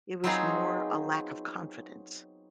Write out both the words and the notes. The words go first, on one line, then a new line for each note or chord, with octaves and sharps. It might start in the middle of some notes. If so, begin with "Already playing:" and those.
It was more a lack of confidence.
F#3 B3 C4 D#4 F4 G#4